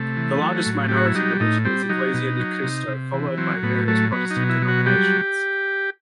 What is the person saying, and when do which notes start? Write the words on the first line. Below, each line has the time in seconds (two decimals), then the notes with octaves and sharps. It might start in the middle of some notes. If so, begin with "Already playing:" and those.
The largest minority religion is Iglesia Ni Cristo followed by various Protestant denominations.
Already playing: C3 A3
0.17 E3
0.41 F#3
0.66 A2
0.89 F#3 G4
0.97 F#4
1.06 E4
1.15 G3 D#4
1.40 A2 D#4
1.65 G3 C4
1.89 F#3 D#4
2.14 B2
2.39 F#3
2.63 C3
2.88 C3
3.13 E3
3.38 F#3 C4
3.63 A2 B3
3.88 F#3 A3
4.12 F#3 B3
4.31 D#4
4.37 B2
4.49 E4
4.62 F#3
4.68 F#4
4.86 G3 G4